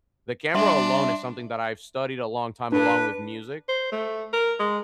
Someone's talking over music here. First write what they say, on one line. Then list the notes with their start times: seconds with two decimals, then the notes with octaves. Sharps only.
The camera alone is something that I've studied a long time along with music.
0.55 G3 D4 E5 C6 F#7
2.72 D4 B4
3.69 C5
3.92 A3
4.33 A#4
4.60 G#3